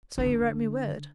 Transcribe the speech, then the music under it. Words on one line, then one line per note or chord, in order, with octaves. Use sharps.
"So you wrote me word."
D3